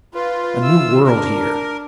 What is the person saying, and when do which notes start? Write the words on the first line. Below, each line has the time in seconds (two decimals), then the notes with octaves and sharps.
A new world here.
0.14 F4 B4
0.62 E4 E6
1.04 D4 A#4